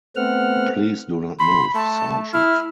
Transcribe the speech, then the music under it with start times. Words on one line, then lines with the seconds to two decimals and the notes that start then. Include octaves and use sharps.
Please do not move, Sergeant.
0.16 A3 B3 C4 F#5 F6
1.39 B5 C6
1.75 A3 A5
2.33 E4 F6